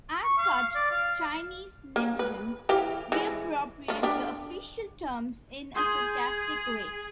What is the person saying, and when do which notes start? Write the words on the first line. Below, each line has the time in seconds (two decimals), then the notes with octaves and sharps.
As such Chinese netizens reappropriate the official terms in a sarcastic way.
0.24 C#6
0.38 F5
0.75 D5
0.91 F5
1.96 A#3
2.19 B4
2.69 E3 G4 F5
3.12 E3 G#3
3.88 A3 F4
4.03 D4 G4
5.75 G#4 C6 D#6 G6 G#6